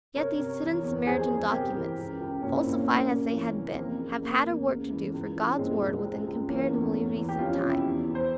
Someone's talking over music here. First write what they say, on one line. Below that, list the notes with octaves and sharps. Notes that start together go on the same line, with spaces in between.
Yet these hidden Samaritan documents, falsified as they had been, have had a work to do for God's Word within comparatively recent times.
C3 A#4 C#5
C3
E3
E2
F2 G#4 C5
F2
C3 G4 A#4
E3
C#2
C#2
C2 A#3 C#4
C4 E4
A#2
A#3 C#4
C3 A#3 C#4
C3
E3
C3
C4
F2 A#3
C#3 A#3
C3 A#3
E2
C#3
E3
C#2
E3
C#4
A#2 G#3 C4
C2
C#2
C#2
E3 A#3 C#4
E2
E2
E3
G4
F2 C#4 F4
C#4 F4
C3
E4 G4
E2
E2
C5